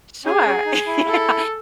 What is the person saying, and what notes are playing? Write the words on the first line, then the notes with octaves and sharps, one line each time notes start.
Sure. Yeah,
C#4 G#4
C#4
D#4
E4
A4